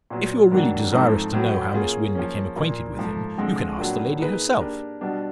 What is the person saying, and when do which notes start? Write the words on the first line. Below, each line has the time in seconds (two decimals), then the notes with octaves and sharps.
"If you are really desirous to know how Miss Wynn became acquainted with him, you can ask the lady herself."
0.10 A#2 F#3 B3
0.52 G#2 D#3 F#3 A#3 D4
0.92 G#2 F3 A3 C4 D#4
1.33 A2 F#3 B3
1.74 A#3 C#4 F4 G#4
2.15 F3 A#3 C#4
2.56 A#2 F3 A#3
2.97 G#2 F3 A3
3.38 D3 F3 G#3 C4
3.78 A2 F#3 A#3 D4 F4
4.19 A#3 D#4 G#4 B4
4.59 A#3 D4 G4 A#4
5.01 B2 G3 B3 D4